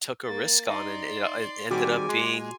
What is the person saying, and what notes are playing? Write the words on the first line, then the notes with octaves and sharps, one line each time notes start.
took a risk on and it, uh, ended up being
A#3 A6
D#4 D5 C6
D#3 G3 C4 F#4 G#4 G#5 D6
G#3 C6